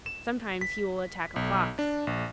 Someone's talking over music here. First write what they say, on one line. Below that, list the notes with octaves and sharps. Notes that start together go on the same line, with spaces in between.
Sometimes he will attack a Fox.
E7
B6
B1
D4
A#1